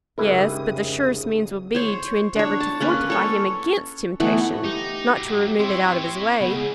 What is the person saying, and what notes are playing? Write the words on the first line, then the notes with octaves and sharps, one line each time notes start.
'Yes, but the surest means will be to endeavour to fortify him against temptation, not to remove it out of his way.'
F1 G#2 C#3 E4 G4 G#4 A#4 D#6
C5 C#5
D4 C#5
A5
A#3 C#4 B4
A4 C#5
E3 A3 B3
D#4 G4
G#2 F#3
C4 E4 C#5
C#2 B3
G#4